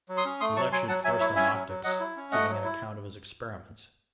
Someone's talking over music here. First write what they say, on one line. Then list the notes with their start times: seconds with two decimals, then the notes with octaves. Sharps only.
He lectured first on optics, giving an account of his experiments.
0.09 F#3
0.17 C6 D#6
0.25 C#4
0.40 A3 C6 D#6
0.56 F#3 A5 C#6
0.72 F#3 G#5 C6
0.88 F#3 F#5 A5
1.04 F#3 E5 G#5
1.20 E4 C#5 E5
1.36 C#4 E5 G#5
1.53 F#3
1.68 F#3
1.84 F#3 D#5 F#5
2.00 E4
2.16 C#4
2.32 A3 D#5 F#5
2.48 F#3
2.64 E4